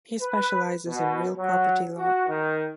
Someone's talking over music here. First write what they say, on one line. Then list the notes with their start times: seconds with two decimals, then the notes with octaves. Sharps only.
He specializes in real property law.
0.20 B4
0.87 B2
1.36 F#3
1.97 F#4
2.27 D#3